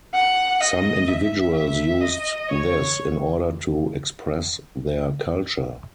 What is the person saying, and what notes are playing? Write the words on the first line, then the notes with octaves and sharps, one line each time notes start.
Some individuals used this in order to express their culture.
F#5
D#5
E5
E5
D#5
C#5